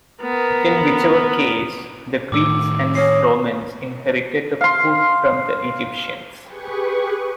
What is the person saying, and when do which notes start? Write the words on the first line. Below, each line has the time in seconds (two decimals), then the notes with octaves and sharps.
In whichever case, the Greeks and Romans inherited the foot from the Egyptians.
0.22 B3 A#4
2.32 A2 D#3 D6 E6 E7
2.95 C#5 D#6 A#6 C7
4.61 F5 C6
6.43 G4 G#4 B4 C#6